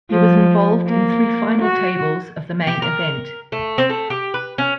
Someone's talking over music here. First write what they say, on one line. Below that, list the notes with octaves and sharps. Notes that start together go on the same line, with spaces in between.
He was involved in three final tables of the Main Event.
F3
A#3
F#4
G4
A#4
A3
C4
A3
G4
B4
C#4